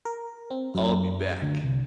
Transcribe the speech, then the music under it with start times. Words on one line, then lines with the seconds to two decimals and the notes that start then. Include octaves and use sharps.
I'll be back.
0.05 A#4
0.50 C4
0.75 F#2
1.42 D2
1.64 C2